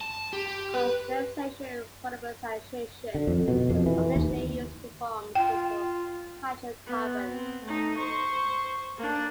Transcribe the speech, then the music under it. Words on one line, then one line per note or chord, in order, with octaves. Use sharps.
Condensation polymerization is occasionally used to form simple hydrocarbons.
A5
G4
B4
D3
F2
B2
F2
E3
D#2
F4 G5
B3
C4
A3 D#4
C5 C#6
A#3 D4